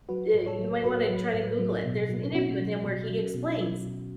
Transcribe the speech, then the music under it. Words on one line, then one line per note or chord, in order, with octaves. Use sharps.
you might wanna try to Google it. There's an interview with him where he explains,
F#3 F#4 B4
A2
A4 C#5
F#3
A2 F#4 B4
F#3
A2
F#3
B2
F#3
B2 C#4 F#4
F#3
B2
F#3
B2
F#3
B2